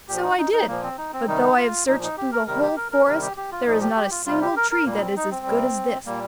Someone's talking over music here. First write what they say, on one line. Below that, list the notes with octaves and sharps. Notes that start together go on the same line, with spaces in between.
'So I did; but though I have searched through the whole forest, there is not a single tree that is as good as this.
A#2 F3 G4
D#4
D#4
D#4
A#2 F3 A#3
C4
D#4
C4
C3 D#3 G3 D#4
F4
A#2 F3 D#4
D#4
G4
A#4
C3 D#3 G3 A#4
G4
A#4
A#4
C3 D#3 G3 A#4
G4
G4
F4
A#2 F3 D#4
G4
G4
F4
C3 G3 F4
G4
A#4
A#4
A#2 G3 A#3
D#4
C4
D#4
C4
C3 G3
A#2 G3 A#3